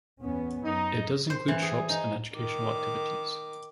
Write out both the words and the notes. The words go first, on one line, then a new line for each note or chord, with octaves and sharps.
It does include shops and educational activities.
E2 B3 C#4
F#2 D#4
C5
E3
G#4
D#4
D#3 D6